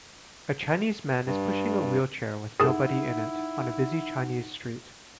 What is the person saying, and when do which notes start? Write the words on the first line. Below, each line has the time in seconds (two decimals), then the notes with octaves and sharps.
A Chinese man is pushing a wheelchair with nobody in it on a busy Chinese street.
1.26 G2
2.60 D#4 E4 G#4 A4 F#5